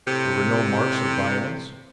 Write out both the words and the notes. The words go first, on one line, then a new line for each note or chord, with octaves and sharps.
"There were no marks of violence?"
A2 C3